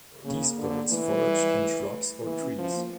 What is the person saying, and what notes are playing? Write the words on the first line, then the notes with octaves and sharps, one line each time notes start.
These birds forage in shrubs or trees.
C#3 A#3
D3
E3 A3
G3
G3
G3
A3
E3 A#3
C#4
F3 C#4
A#3